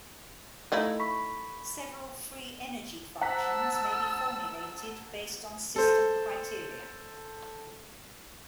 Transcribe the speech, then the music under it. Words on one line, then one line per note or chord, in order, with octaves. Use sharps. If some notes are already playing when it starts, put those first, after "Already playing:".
Several free energy functions may be formulated based on system criteria.
A3 D#4 E4 F5
B5 C#6 B6
C5 F#5 A5 A#5 E6 B6
A4 C5